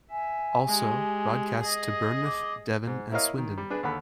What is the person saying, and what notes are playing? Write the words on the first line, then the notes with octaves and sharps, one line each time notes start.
Also, broadcast to Bournemouth, Devon, and Swindon.
E5 G#5
G#3 G4
G#4 D#5
D6
G#2
E4 A#4 C#5 D#5 F5
D#3
G3
D4 G#4 B4
D#2 D3 F#5 B5